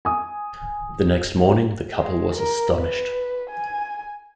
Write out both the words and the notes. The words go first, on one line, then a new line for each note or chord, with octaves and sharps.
The next morning the couple was astonished.
G#5 D#6
G#3
A#4
B4
G#5